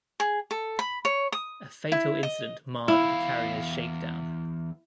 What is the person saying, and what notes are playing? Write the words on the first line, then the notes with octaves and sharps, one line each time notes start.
A fatal incident marred the carrier's shakedown.
G#4
A4
B5
C#5
D#6
E4
D#5
E2 E4 F5